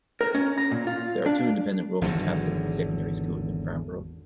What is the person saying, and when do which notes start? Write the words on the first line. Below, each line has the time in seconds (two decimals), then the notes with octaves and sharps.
There are two independent Roman Catholic secondary schools in Farnborough.
0.21 A#4
0.35 C#4
0.58 A#5
0.71 A#2
0.87 F4
1.26 D4
2.02 G#1 E2 D3 F#3